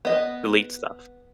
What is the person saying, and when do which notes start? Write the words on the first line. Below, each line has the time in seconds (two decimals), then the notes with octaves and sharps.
delete stuff.
0.05 B3 D#5